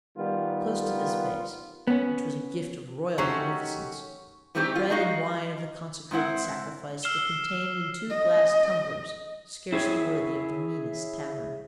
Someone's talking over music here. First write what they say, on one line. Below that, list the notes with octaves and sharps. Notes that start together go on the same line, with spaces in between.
Close to this vase, which was a gift of royal munificence, the bread and wine of the consecrated sacrifice were contained in two glass tumblers scarcely worthy of the meanest tavern.
D#3 G3 B3 F4
B3 C#4
D#3 F#3 A3 C#4 F#4 G4 C6 C#6
E3 G3 A3 C4 D#4 G4
F4
D#4 F#4 D#5 F5
G#2 C4 E4 F#5
E6 F6 C7 E7 G7
D#5
E4 G#4 C#5